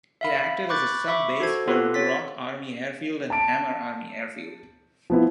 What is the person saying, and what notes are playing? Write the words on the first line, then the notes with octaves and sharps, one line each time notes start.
It acted as a sub-base for Muroc Army Airfield and Hammer Army Airfield.
E5 F5 B5
B5 C#6 D6 F#6 G6 A6
E5 B5 C#6 D6
F#4 A4 C5 G#6
B3 F4 G4 A4 B4
C#5 A6 B6
A5 D7
F3 B3 E4